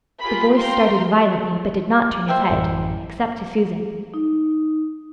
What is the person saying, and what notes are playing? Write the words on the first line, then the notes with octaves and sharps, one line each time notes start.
The boy started violently, but did not turn his head--except to Susan.
F4 G4 G#4 A#4 B5
F5 G5 A#5 C6
C5 E5 G5
A1 F#2 E3
D#4